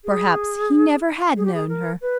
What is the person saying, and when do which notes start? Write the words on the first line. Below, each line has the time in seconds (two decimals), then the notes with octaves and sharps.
Perhaps he never had known her.
0.05 G#4
1.37 G#4
1.45 G4
1.54 G#4
1.69 A#4
2.01 B4